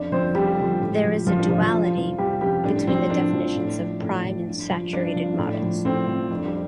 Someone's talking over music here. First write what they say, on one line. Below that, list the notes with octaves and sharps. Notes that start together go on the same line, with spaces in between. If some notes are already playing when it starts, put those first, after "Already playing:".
There is a duality between the definitions of prime and saturated models.
Already playing: F2 D4 D5
D3 F3 C4 C5
F2 G3 G4
D3 F3
A2
F3
A2 F3 F4
D4
F3 F4
F3 F4
F2
C3 F3
F2 G3 G4
C3 F3 G3 G4
A2 D4
F3 C4
A2 D4
F3
A2
F3
A2
F3
G2
F3
G2 D4
F3
A2
F3
A2 C4
F3
F2 D4
G3 G4